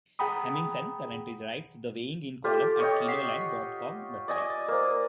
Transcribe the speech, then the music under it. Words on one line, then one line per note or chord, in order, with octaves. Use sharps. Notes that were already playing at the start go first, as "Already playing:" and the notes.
Hemmingsen currently writes the "Weighing In" column at the Keloland dot com website.
G#4 F#5 G5 A#5 B5 D#6
F4 G4 A4 D6
C#5 D#5 G5
F#5 B6 C7
D5 D#5 G#5
A#3 A#4 C5